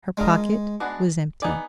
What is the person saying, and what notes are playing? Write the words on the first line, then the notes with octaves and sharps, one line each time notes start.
Her pocket was empty!
G#3 D4 F4 A#4 D#5
G#3 B3 D4 F#4
B3 D#4 G#4 D5